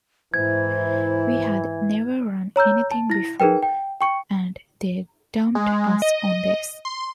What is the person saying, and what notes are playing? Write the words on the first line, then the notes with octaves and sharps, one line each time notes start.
We had never run anything before, and they dumped us on this.
G#2 E3 E4 C5 G#6
C#5 A#5 E6 G6
A5
E4 A#6
D#4 G#4 A#4 B4 G5
G5
G5 C#6 C#7
G#3
D#5
C6